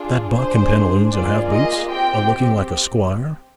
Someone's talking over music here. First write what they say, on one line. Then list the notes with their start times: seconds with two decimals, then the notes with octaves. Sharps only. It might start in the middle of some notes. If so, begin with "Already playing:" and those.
'That buck in pantaloons and half-boots--a looking like a squire?'
Already playing: D4 F4 G#4
0.32 D4 G#4 C5
1.11 A#3 F4 G#4 D5
1.51 D#5
1.90 C4 G4 G5